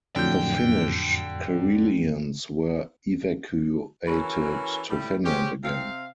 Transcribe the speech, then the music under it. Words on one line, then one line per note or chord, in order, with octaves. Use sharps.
The Finnish Karelians were evacuated to Finland again.
F2 A2 D3 F#3 G5 G6
E3 C#4 F#4 A4 A#4
A2 G3
G#3 C4 C#4 G4
C3 C4 F5